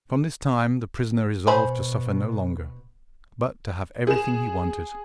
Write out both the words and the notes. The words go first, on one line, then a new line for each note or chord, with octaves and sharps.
From this time the prisoner resolved to suffer no longer, but to have everything he wanted.
B2 C5 G#5 B5
G#4 E7